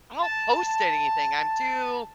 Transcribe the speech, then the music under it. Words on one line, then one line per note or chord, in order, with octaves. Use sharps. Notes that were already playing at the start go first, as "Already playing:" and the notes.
I don't post anything, I'm too
A5
A5